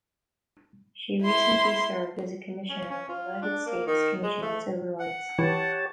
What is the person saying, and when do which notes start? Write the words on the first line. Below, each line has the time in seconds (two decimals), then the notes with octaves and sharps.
She recently served as a Commissioner on the United States Commission on Civil Rights.
1.24 E4 C6
2.69 C#4
2.91 C#4
3.09 F4
3.42 D4
3.66 A#3
3.87 D#3
4.23 G#3
4.42 A3
4.99 F#5
5.39 E3 G4 C#5 A5